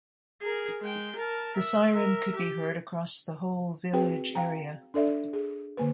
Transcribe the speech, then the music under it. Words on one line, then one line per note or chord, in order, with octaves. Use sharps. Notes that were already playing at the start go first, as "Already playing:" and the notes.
The siren could be heard across the whole village area.
G#4 A#4
G#3 G5
A#4 A5
E5
A#4 E5
G4
C4 F#4 G#4 B4 G5
F5 G5 A#5
D4 A4 D5 E5
G#4
D3 A#3 B4